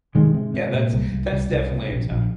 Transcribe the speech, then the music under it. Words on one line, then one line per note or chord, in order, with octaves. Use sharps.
Yeah, that's that's definitely a time.
C3 D#3 G#3
C3
C3
A#2
C2
C2
C2
C2
C3
A#1
A#1